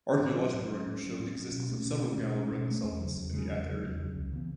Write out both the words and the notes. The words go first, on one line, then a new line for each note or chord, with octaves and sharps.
Archeological records show the existence of several Gallo-Roman settlements in the Ath area.
A2
F#3 C#4
A2
F#3 C#4
A2
F#3 C#4
A2
F#3 C#4
B2
A3 C#4
B2
A3 C#4
B2
A3 C#4
B2
A3 C#4
E2
C#3 F#3
E2
C#3 F#3
E2
C#3 F#3
E2
C#3 F#3
C#2
C#3 E3 B3